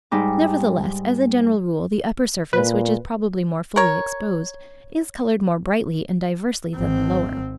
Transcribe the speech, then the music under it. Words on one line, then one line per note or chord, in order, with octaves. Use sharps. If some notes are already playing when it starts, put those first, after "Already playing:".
Nevertheless, as a general rule, the upper surface, which is probably more fully exposed, is coloured more brightly and diversely than the lower.
G#2 G3 D#4 D6
A#2 B4
A#4 C#5
G#1 C4